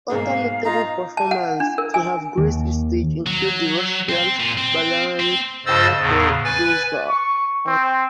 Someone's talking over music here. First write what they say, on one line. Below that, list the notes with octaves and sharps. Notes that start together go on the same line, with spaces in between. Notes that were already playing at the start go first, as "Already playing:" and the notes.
Other notable performers to have graced its stage include the Russian ballerina Anna Pavlova.
B1 G#2 A#3 G#4 F5
D#4 F4 A#5
A5
F#5
D4
A#4
G#5
D#2
F#3
C4
A#2
C4
C4
G2 C#3 C5 D#5 E6 A6
E2 A2 C#3
B4 G#5 A6
C#6
C4